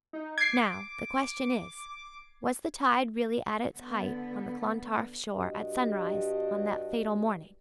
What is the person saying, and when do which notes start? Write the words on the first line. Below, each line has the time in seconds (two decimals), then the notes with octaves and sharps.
Now, the question is, was the tide really at its height on the Clontarf shore at sunrise on that fatal morning?
0.13 D#4
0.38 D6 G#6 C7
3.74 D3 B3
5.32 G2 D4 F#4 G4 D#5